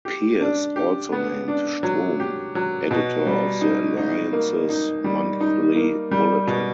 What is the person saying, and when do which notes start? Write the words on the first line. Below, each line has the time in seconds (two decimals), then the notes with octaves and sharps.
Pierce also named Strom editor of the Alliance's monthly "Bulletin".
0.05 G4
0.40 D4
0.76 G4
1.12 B3
1.48 D4
1.83 F#3
2.20 G4
2.55 F#3
2.91 B2
3.27 G3
3.61 D#4
3.97 D#4
4.33 A#3
4.69 D#4
5.04 G3
5.41 D#4
5.76 A#3
6.11 G3
6.47 B2